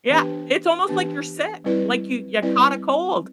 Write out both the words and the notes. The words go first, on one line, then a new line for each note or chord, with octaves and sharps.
yeah, it's almost like you're sick, like you you caught a cold.
E3 B3 D4 G4 B4
E3 B3 D4 G4 B4
G3 C4 E4 B4 D5
G3 C4 E4 B4 D5